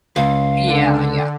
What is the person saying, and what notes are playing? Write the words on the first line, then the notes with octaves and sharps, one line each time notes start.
Yeah, yeah.
C#2 F5
D3